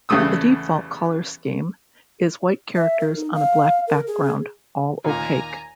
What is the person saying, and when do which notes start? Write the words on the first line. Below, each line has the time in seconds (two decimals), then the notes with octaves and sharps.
The default color scheme is white characters on a black background, all opaque.
0.09 E2 C#3 G3 A3 D#6 E6
2.76 E5
3.00 A#4
3.16 D#4
3.34 F5
3.87 A#4
4.07 G#4
5.04 D#2 A#2 G#5 A#5